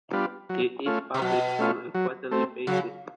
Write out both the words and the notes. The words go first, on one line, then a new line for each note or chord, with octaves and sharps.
It is published on a quarterly basis.
G3 B3 D4 F4
F#3
A3 C#4 F4
C3
B2 F#3
A3 C#4 F4
F#3
A3 C4
C#3 F#3